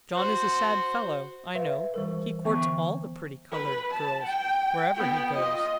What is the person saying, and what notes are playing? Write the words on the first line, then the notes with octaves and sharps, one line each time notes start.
John is a sad fellow, I know; he courts all the pretty colored girls wherever he goes.
F#4 C5
B4 E5 F5
E3 G3 A#4
D3 E3 B3 E5 A5 C#6
B4
A5
G5
B3 G5
F4 D#5